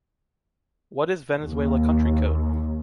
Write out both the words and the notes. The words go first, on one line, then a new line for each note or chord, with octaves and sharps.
What is Venezuela country code?
D#2